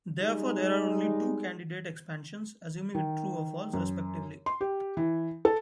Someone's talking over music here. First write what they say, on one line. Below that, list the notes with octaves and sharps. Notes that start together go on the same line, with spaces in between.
Therefore, there are only two candidate expansions, assuming it true or false, respectively.
G3 G#3 D#4
D#3
F#2
C6
G4
E3
A4